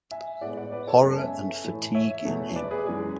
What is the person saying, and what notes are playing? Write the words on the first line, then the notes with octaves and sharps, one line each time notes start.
Horror and fatigue in him.
E5 G#5
A2 G#3 B3 D5 F#5
D5 F#5
B4 D5
A4 C#5
F#2 C#3 G#3 B3 A4 C#5
E5 G#5
A2 E3 A3
C#5 E5
E2 B2 A3
B4 D5
G#4 B4
F#2 E3 G#3 G#4